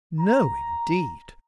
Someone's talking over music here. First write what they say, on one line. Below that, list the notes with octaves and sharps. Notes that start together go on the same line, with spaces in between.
"No, indeed!"
A#5